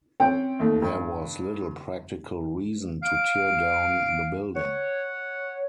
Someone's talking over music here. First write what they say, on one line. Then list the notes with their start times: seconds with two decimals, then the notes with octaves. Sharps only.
There was little practical reason to tear down the building.
0.20 C4 C#4 G5
0.59 D#2 A3
0.82 G2
3.03 F5 D7
4.55 C#5 F#5